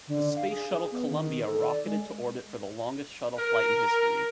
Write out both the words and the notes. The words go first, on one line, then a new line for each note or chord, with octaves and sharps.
The Space Shuttle "Columbia" rocketed to orbit for the longest Shuttle flight in history.
D3
F5
G#4
G#4
B3
D#3
A4
D5
G#3
A#4